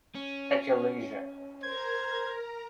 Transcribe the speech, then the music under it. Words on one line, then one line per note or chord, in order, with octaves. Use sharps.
At your leisure.
C#4
A#4 C5 A#5 G#6